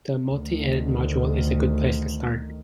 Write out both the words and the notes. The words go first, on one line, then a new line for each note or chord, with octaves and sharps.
The multi-edit module is a good place to start.
D2 D#3